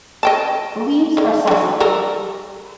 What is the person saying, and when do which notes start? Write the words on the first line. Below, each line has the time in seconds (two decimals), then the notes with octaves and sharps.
The leaves are sessile.
0.23 D#5 G5 A5
1.17 D3 D#3
1.47 D3 F#3
1.80 G3 A4 A#4